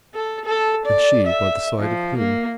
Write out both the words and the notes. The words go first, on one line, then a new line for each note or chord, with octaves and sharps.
And she by the side of him!
A4
A4
D5
E5
F3
A#3